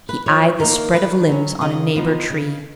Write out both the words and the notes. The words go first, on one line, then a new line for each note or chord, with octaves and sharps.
He eyed the spread of limbs on a neighbor tree.
B4
F3 C#5
A#3 D#4 A#4
D#3 B4
F#3 C#4
C#3 D#5
F3 B3 D#4
C#3